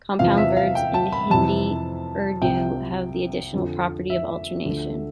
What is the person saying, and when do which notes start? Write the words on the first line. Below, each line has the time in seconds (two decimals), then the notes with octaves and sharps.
Compound verbs in Hindi-Urdu have the additional property of alternation.
0.19 E2 C3 F3 F5
0.38 E5
0.57 F5
0.75 G5
0.94 A5
1.12 B5
1.30 F2 C3 E3 A5
2.42 C2 C3 F3 G5
3.53 F2 D3 F3
4.10 E5
4.65 D2 D3 F3